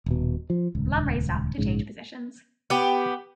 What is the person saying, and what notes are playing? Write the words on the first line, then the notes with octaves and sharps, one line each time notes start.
Lum raised up to change positions.
D#1 B2
F3
D#1 C#2
A#1 G#2 C#3
B3 G4